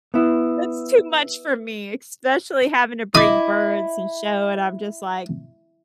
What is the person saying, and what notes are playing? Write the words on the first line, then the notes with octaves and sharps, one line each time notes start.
that's too much for me, especially having to bring birds and show and I'm just, like
B3 E4
E4 D#5 D6 D#6